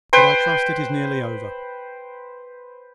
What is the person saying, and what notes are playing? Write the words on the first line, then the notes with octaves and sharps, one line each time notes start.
But I trust it is nearly over.
B4 C5 G5 C6